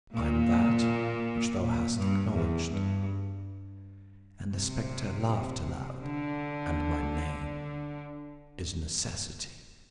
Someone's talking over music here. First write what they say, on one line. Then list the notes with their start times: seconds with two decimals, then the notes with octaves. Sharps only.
'I am That which thou hast acknowledged'; and the spectre laughed aloud--'and my name is NECESSITY.'
0.13 A#2
1.60 A#2
1.96 G2
2.34 E2
2.70 G2
4.55 C3
6.03 D3